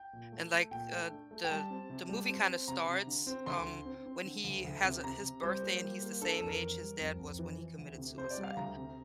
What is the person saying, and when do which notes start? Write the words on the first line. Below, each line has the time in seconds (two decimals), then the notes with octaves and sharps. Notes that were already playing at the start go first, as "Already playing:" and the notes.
and, like, uh, the the movie kinda starts, um, when he has, uh, his birthday and he's the same age his dad was when he committed suicide
Already playing: G5
0.13 A#2
0.32 A3
0.53 A3
0.71 A#2 G5
0.92 A3
1.11 D4
1.31 A3
1.44 G5
1.50 G3 A5
1.70 C4
1.90 C3
2.09 G3
2.29 C4
2.49 C4
2.68 C3 A#5
2.88 C3
3.07 D3
3.27 C4
3.46 D2 C6
3.66 D3
3.85 C4
4.06 C4
4.25 D3
4.44 D2
4.65 D2
4.84 C3
5.04 C3 A#5
5.23 C3
5.43 G3 C5
5.62 A#3
5.82 G3
6.02 A#3
6.21 D4 A4
6.35 A4
6.40 F2
6.47 A#4
6.61 E3
6.80 G3
7.00 F2
7.19 F2
7.39 E3
7.58 E3
7.78 D2
7.98 C3
8.17 C3 C5
8.31 D5
8.37 G3
8.44 F5
8.57 D2 A#5
8.77 C3